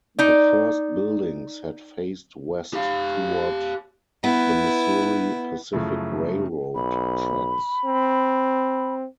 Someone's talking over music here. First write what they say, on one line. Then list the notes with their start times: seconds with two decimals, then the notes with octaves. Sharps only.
The first buildings had faced west toward the Missouri Pacific Railroad tracks.
0.19 D#4 D5
2.73 G4 F5
4.24 B3 E4
5.73 F#2 C#3 F3 A3 E4
6.75 B1 B5
7.85 C4